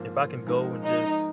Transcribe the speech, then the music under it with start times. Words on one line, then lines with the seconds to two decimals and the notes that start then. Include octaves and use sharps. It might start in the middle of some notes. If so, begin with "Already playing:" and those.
if I can go and just
Already playing: G#2 F3 A#3 F4 C5
0.47 F3 G#3 D#4 A#4
0.85 D#4